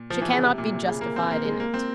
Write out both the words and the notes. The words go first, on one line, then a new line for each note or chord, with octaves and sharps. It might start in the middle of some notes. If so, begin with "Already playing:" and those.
She cannot be justified in it.
Already playing: A#2
F3
E3
C#3
C3
A#2
C3
C#3
A#3
C4
A#3
G#3
A#3
C4